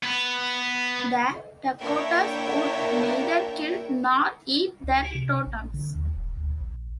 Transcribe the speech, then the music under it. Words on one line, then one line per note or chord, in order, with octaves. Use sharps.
The Dakotas would neither kill nor eat their totems.
B3 B4
A#3 D4 E4 C#5 E5 G5
C#2
C3
A#1
D3
D#2
D#1
D2
A#1